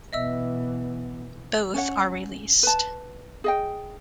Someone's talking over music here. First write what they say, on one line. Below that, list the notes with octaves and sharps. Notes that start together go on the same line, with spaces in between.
Both are released.
B2 E3 B3 D#5 E5 E6
C#4 C#5 F#5
B4 A5
G#4 D#5 G5